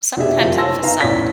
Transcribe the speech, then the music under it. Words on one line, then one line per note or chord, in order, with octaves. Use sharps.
sometimes a facade,
F1 B2 D4 G4 G#4 E5
F#1 F2 F4 C5
C#5 G#5 A5 C6 E6 A#6
B3 D#4 F5 A#5
A1 E2 C#4 D5 B6